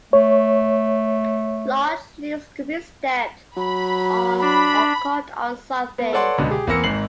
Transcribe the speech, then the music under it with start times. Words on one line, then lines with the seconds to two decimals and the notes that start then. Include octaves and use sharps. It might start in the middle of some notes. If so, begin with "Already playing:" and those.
Large loops could be stepped on or caught on something.
0.13 A3 C#5
3.57 F#3 B5
4.41 D4 B5
5.98 B3
6.13 A4 B4 C#5 D5 F#5 C6
6.38 C#2 B2 D3
6.51 G4 G#4
6.67 E2 A#3 C4 E6 A#6 C#7
6.84 G#1 G#2 C7 F#7